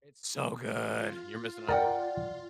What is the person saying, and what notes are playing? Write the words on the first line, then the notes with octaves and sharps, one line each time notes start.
It's so good. You're missing out.
F4
A#4 D5 F#5 G5